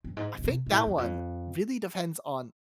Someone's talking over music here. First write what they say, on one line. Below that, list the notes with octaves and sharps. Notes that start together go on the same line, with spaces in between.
I think that one really depends on
G2
G#2
B2
C3
G#2
A2
E2
F2